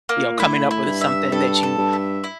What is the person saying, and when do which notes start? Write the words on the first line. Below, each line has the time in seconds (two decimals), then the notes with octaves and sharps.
you know, coming up with, uh, something that you,
0.09 A#3
0.17 A#2
0.40 A2 E4
0.71 E4
0.86 G2
1.01 E5
1.32 G2 A4
1.63 A4
1.78 G2
1.93 E5
2.24 E4